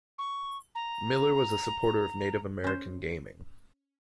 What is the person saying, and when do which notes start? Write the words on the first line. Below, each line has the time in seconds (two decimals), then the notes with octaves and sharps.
Miller was a supporter of Native American gaming.
0.18 C#6
0.75 A#5
2.64 C#4 C5